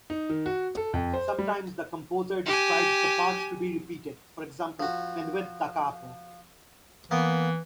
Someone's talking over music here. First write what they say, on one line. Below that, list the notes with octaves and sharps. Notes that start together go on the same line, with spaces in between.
Sometimes the composer describes the part to be repeated, for example: "Menuet da capo".
D#4
D#3
F#4
A4
F2
C5
G3
G4 G#5
F3 F#4
E3 A#3 B3